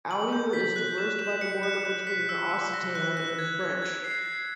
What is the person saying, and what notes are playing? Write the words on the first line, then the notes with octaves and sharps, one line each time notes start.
Allier is traversed by the border between Occitan and French.
F#7
G6
B6
F#6
E7
E7
C#7
F#6
F#6
B6
E6
E6
A#6
F#6
F#6
G#6
G#6
G#6
C7
C7